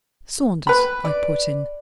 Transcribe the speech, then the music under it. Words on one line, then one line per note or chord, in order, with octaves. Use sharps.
"Saunders," I put in.
B4 B5
D5